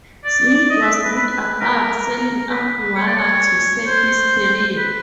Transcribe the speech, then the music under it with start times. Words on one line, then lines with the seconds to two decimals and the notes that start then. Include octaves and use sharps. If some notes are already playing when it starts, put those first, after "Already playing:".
Smith was not above selling out Waller to save his career.
0.25 D5
0.48 D5
0.70 D#5
0.82 E5
1.04 B4
1.16 B4
1.61 A#4
2.50 B4
2.96 C#5
3.07 D5
3.17 C#5
3.87 C5
4.77 B4